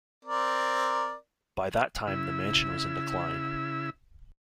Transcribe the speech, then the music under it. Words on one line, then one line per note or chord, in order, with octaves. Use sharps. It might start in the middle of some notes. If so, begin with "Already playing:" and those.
By that time the mansion was in decline.
C4 A#4 D5
C#3 E4 E6